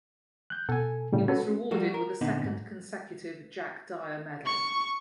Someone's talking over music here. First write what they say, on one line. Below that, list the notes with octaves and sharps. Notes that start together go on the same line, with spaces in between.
He was rewarded with a second consecutive Jack Dyer Medal.
F#6 G6
B2 A4 G#5
A2 C#3 G3
C#4 F#4 A4 B4
F3 G3 F#4
A#4
A#2 D3 B3 C4 D#4
G#2
C#6